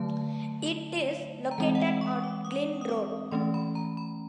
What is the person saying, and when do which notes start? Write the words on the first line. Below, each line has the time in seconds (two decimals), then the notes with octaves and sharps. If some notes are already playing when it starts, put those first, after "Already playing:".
It is located on Glen Road.
Already playing: D3 F#3 A3 A5
1.51 A#5
1.58 E3 G#3 C4 A5
1.75 F#5
1.80 G5
2.01 C#6
2.16 C#6
2.24 D6
2.45 D#6
2.81 D#6
2.89 D6
3.31 E3 A3 C#4 C6
3.54 B5
3.75 A#5
3.97 B5